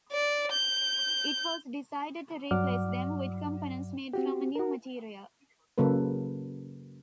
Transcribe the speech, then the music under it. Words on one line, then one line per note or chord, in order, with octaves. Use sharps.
It was decided to replace them with components made from a new material.
D5
G6
G2 F#3 D5 F#5 D6 F6
C4 F#4 G4
F#4 A#4
C#3 F#3 A#3 A4 B4